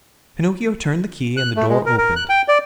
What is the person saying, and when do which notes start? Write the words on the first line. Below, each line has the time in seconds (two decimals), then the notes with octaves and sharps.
Pinocchio turned the key and the door opened.
1.37 F#6
1.56 A3
1.69 G#3
1.86 A#4
1.98 A#4
2.16 F#6
2.29 G5
2.48 D5